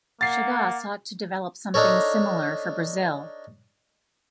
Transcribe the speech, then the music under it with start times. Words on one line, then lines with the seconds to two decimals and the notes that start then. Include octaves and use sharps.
Chagas sought to develop something similar for Brazil.
0.21 A#3 F#5 A6 C7
1.74 D4 D#4 A4 A#4 C#5